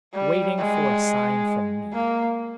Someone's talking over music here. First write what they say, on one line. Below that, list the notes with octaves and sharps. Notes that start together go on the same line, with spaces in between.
Waiting for a sign from me.
G3
G#3
A#3